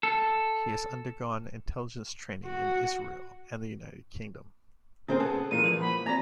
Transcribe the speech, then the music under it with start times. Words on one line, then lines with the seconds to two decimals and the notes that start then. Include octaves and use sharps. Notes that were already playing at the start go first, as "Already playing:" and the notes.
He has undergone intelligence training in Israel and the United Kingdom.
0.03 A4
2.45 F#4
5.08 A#2 C#3 C4 C#4 G#4 C5
5.20 B3 G#4 A4 A5
5.51 A#2 E3 E4 F5 D#7
5.64 A#2 F3 A#4 B4
5.81 F3 A#3 B5
6.06 C4 F#4 D5 A#5 A#6